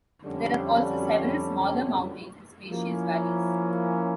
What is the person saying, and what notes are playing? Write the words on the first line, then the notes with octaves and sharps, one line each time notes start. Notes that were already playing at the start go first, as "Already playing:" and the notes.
There are also several smaller mountains and spacious valleys.
F2 D3 G3 C#4
F3 A#3 C#4 E4